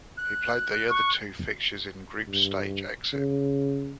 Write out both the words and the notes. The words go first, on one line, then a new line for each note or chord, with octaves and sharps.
He played the other two fixtures in a group stage exit.
F#6
C#6
G2
C#3